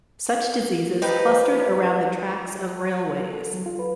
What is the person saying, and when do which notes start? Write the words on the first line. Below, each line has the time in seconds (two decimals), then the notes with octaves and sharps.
Such diseases clustered around the tracks of railways.
1.02 F3 D#4 G4 B4
3.33 A4
3.54 F#3
3.66 F4
3.79 B4